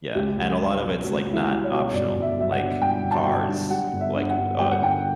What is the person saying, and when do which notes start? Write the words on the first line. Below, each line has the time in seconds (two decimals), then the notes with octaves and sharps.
Yeah, and a lot of it's, like, not optional, like, cars, like, uh, s
0.15 C#2 G4
0.37 C#2
0.60 G3
0.82 B2
1.04 C#2 F#4
1.26 C#2
1.33 E4
1.49 G3
1.64 C#5
1.71 B2
1.93 G1 D5
2.16 G1
2.22 E5
2.37 F#3 E5
2.52 F#5
2.60 G2
2.82 G1 G5
3.04 G1
3.11 A5
3.26 F#3
3.48 G2
3.70 G3 F#5
3.93 G1
4.01 E5
4.16 D3
4.30 F#5
4.37 G2
4.59 G3 G5
4.71 F#5
4.81 G1 G5